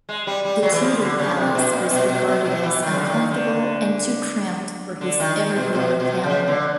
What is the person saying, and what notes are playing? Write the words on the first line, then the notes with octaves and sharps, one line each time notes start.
The Tudor palace was regarded as uncomfortable and too cramped for his ever-growing family.
G#3
G3
G3
F#3
E3
F3
D3
C#3
C3
B2
A#2
B2
B2
B2
B2
E3
D#3
C#3
D3
D#3
D3
D3
D#3
D#3
B2
B2
B2
C#3
D3